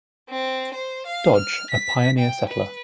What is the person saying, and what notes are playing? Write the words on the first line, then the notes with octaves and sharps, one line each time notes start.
Dodge, a pioneer settler.
C4
C5
F5
F6
B6
G5
B4